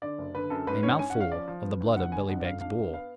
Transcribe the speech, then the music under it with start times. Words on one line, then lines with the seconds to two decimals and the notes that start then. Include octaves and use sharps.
"A mouthful of the blood of Billy Beg's bull."
0.02 D3 D5
0.18 F#1
0.34 D3 B4
0.50 F#2 A4
0.67 G#2 B4
0.83 C#4 C#5
0.99 C#4 G#5
1.10 C#4 F#5
1.20 F5
1.32 F3 D5
1.48 F3
1.63 B3
1.80 D2
1.96 F#1 F#5
2.12 D3 G#5
2.29 F2 F#5
2.40 D5
2.45 F2 F5
2.61 D4 F5
2.78 B3
2.93 B3 F5